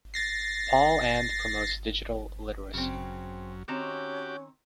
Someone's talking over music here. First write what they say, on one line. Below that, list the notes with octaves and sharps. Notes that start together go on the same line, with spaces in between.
Paul and promotes digital literacy.
A6 A#6 C7
F#2 C#3 C4
D#3 C4 C#4 F#4 G4 A#5 D6